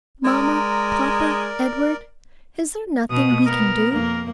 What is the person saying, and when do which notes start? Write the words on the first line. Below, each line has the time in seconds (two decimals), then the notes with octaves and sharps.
"Mamma, papa, Edward, is there nothing we can do?"
0.24 G#3 A#4 D5 A#5
3.10 B2 D#6
3.46 B3 A#4
3.91 F2 A#3 A#4